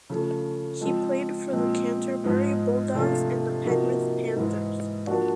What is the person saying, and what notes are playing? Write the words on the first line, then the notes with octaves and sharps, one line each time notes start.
He played for the Canterbury Bulldogs and the Penrith Panthers.
C#3 F3 A3
F3 G#3 C4
A#2 F3 G#3 C4
G#2 F3 G#3
C3 F3 A3 D4 F4
C3 F3 A#3 D#4 F#4
G#2 E3 G#3
F3 A#3 D4 F#4